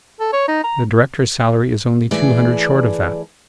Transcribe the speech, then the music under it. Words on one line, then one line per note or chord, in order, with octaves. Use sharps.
The director's salary is only two hundred short of that.
A4
C#5
D#4
A#5
E3 A3 G#4 B4 D5